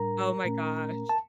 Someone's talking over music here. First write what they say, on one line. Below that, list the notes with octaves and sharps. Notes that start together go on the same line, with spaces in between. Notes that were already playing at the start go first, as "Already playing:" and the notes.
Oh my gosh.
Already playing: A2 G3 D4 A#4 A#5
A#2 A3 C#4
A5